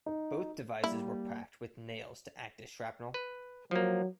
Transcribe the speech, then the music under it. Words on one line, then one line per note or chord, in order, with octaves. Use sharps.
Both devices were packed with nails to act as shrapnel.
D#4
G3 A#3 E4
B4
F3 F#3 A#3